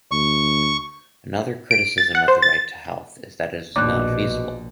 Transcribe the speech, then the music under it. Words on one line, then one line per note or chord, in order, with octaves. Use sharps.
Another criticism of the right to health is that it is not feasible.
D2 C#6
D7
A6
F#5
C5
A6
A#1 D#2 B2 D4 D6 F#6